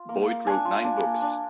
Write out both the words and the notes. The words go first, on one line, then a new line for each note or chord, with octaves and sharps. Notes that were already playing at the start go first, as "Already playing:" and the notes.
Boyd wrote nine books.
Already playing: F4
A#3
A#3
D4 G#5
F4
D4
A#3
D4